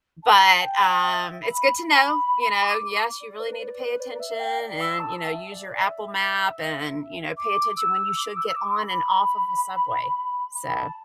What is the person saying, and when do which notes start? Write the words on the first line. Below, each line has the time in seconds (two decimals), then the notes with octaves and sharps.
but, um, it's good to know, you know, yes, you really need to pay attention and, you know, you use your Apple map and, you know, pay attention when you should get on and off of the subway, so
0.23 A5
0.62 G5
1.02 G5
1.07 E5
1.42 B5
1.81 B5
2.61 D6
2.81 D6
3.20 D5
3.40 B4
3.60 D5
3.80 B4
4.00 D5
4.19 E5
4.39 G5
4.59 D5
4.80 E6
4.99 A5
5.26 E5
5.52 D5
5.79 E5
7.37 D6
7.77 E6
8.16 D6
8.36 E6
8.46 E6
8.56 D6
8.76 B5
10.54 B5
10.75 A5